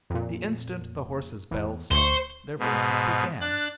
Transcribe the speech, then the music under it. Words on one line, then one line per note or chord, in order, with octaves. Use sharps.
The instant the horses' bells stopped, their voices began.
F2 A#2
E2
D2 C5 C#6
G#2 B2
D4 F#6 A6